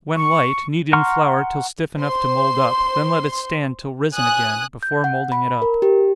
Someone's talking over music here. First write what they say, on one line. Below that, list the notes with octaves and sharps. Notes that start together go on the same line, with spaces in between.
When light, knead in flour till stiff enough to mould up, then let it stand till risen again, before moulding it up.
C#6
F#5 A#5 C6 C#6 F6
C5 C6
G#5 D#6 F#6
G6
F#5
B5
A#4
G4